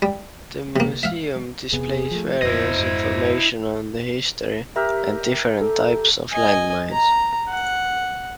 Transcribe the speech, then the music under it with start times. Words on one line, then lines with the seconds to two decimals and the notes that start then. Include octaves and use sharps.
The museum displays various information on the history and different types of land mines.
0.02 G3
0.76 C3 A#3
1.03 E5 F5
1.72 E1 C3 B3 G#4
2.11 F3 A3
2.42 D1 F2 B3 E4 C5 D#5
2.76 F2 G#2
4.76 G4 A#4 E5
5.61 A4
6.32 D#5 G#5
6.92 A#5
7.49 F#5